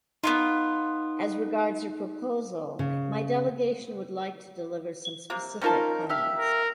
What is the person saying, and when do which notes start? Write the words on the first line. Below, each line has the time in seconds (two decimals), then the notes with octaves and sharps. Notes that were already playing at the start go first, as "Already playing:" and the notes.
As regards your proposal, my delegation would like to deliver some specific comments.
0.24 B3 C#4 D#4 F4
2.79 C#3
5.30 C3 A#3
5.62 C4 C#4 D#4 F4 A#4 A5
6.09 G4 E5 F5
6.38 A#4